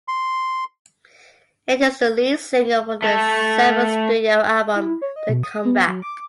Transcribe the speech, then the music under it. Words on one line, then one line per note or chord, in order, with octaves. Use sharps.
It is the lead single from their seventh studio album "The Comeback".
C6
A3 A4
E4
C#5
D#5
B2
D#6
B3
F#3
D6